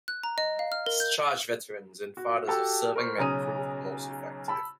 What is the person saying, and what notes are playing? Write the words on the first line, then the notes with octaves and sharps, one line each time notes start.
Discharged veterans and fathers of serving men proved most effective.
F#6
A#5
D#5
F5
F6
A#4
G6
F#4
F#4 G4 A4 A5 E6
A#4 C5 C#6
B1 C#3 C#4 A#5 D#6 D#7
A5 B5 E6